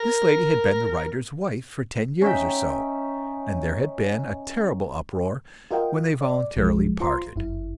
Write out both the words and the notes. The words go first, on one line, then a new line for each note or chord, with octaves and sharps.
This lady had been the writer's wife for ten years or so, and there had been a terrible uproar when they voluntarily parted.
A#4
C#4 D#4 E5 G5
F4 F#4 A#4 D#5 F5 G5
D5
B1 F3 G#3
F4 C5 A#5 C6
G1 F#2 E4